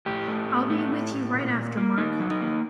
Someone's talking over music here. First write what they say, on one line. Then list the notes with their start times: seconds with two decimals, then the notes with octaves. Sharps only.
I'll be with you right after Mark.
0.06 A2 G4
0.28 A3
0.49 A2
0.70 A3
0.92 A2
1.13 A2
1.34 A#2
1.55 A#2
1.77 A#3
1.98 A#3 D#4
2.20 F#3
2.30 D#4
2.41 A#3